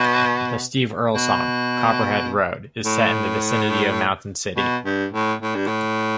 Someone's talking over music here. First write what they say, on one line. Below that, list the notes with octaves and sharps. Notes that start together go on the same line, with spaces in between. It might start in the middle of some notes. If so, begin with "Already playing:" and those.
The Steve Earle song "Copperhead Road" is set in the vicinity of Mountain City.
Already playing: B2
B2
A2
B2
G2
A2
A2
G2
A2